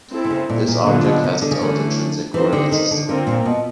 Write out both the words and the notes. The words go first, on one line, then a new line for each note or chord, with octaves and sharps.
This object has its own intrinsic coordinate system.
C4 E4 A4
C3
C#3
A#2
A#2
A#2 D3 F#3 B3 D4 F4
B2
C3
D3
C#3
D3 E3 A3 C#4
E3 C4 D#4 G4 C5
D3
D#3
D3
D3 C4 F4 A#4
A#2
B2